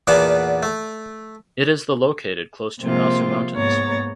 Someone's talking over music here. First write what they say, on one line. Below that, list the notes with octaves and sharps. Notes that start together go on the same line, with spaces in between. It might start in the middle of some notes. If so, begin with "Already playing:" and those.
It is the located close to nasu mountains.
E2 A#2 B3 D5 F#5 A5
A3
C3 F3 G#3 A#3 C4 F4
G#2 A#3 B3 C#5 A#5 A6